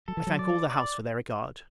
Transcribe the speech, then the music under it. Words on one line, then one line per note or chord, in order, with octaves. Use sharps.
I thank all the house for their regard.
F#3 A4
E3
F#3
D5
D5